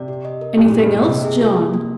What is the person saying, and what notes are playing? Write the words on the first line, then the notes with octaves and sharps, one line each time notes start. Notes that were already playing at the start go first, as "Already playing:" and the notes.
"Anything else, John?"
Already playing: C3 D5
G4
D#5
A#4
A#2 G4
G#2 G4
G2
G#2 D#5
C3 A#3
G#4
F4
A#3
A#3